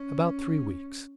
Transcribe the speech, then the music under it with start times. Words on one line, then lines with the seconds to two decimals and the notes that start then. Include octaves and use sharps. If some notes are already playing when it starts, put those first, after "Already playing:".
"About three weeks."
Already playing: C#4